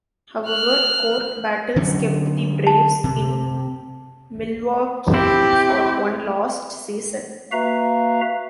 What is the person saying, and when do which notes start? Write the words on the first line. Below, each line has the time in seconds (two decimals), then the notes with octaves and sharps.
However, court battles kept the Braves in Milwaukee for one last season.
0.46 F6 F#6
1.76 D3 F#3 C#4
2.67 A5
3.04 C3
5.14 C4 E4 G4
7.52 A#3 F#4 B4 E5 F5 A#5